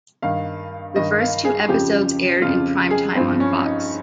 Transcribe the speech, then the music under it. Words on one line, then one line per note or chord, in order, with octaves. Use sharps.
The first two episodes aired in primetime on Fox.
G2 D#3 F5
G2 D#3 D#5
F5
G#4
F2 C#3 F3 G4
F2 C#3 F3 F4
G#4
G2 F3 C4
C#4
D#4